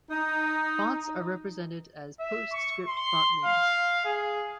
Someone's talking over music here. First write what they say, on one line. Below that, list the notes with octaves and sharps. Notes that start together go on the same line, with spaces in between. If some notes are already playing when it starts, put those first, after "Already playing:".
Fonts are represented as PostScript font names.
D#4
E5
C#6
C6
F5
G#4